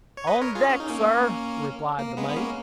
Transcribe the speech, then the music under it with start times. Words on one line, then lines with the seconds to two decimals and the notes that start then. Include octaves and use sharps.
"On deck, sir," replied the mate.
0.17 C#5
0.27 B4 D#5
0.41 A#4 C#5
0.55 F4 G#4
0.69 C#4
0.80 D#4
0.90 A#3 C#4
1.99 A#3
2.17 G#3 B3
2.30 B3
2.36 A#3 C#4